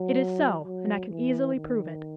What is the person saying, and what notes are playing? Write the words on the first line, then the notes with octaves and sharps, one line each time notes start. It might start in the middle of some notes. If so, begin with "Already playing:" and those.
It is so, and I can easily prove it.
Already playing: F#3
F#3
E3
D#3